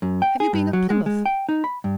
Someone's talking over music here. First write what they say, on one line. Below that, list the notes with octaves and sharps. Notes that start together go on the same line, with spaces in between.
'Have you been at Plymouth?
F#2
G5
G#4
G2
F#3
G#3
G#3
G5
D#4
B5
G2